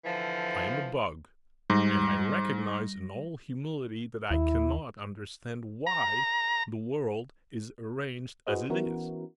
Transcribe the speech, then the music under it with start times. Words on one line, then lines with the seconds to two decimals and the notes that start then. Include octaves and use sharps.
I am a bug, and I recognize in all humility that I cannot understand why the world is arranged as it is.
0.05 D3 E3 F3
1.70 G#2 G3 A#6
4.31 D#2 E4
5.87 A#5
8.47 E4 F#4 G#4 B4 C5 D#5
8.70 E3 B3 C#4 E4 F#4 A#4